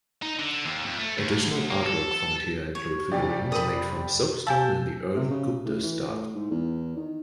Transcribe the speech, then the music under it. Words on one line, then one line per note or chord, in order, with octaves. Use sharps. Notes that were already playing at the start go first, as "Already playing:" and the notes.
Additional artwork found here include figurines made from soapstone in the early Gupta style.
D#4
D3
D#2
F2
A3
D2
A#3
A4
C#5
F1 D4 G4 D5
A4 A#4 B5 D#6
F5 G#5 A5 E6 G6
C3
C#3
A2
E3
A2
G#2
E2
D#3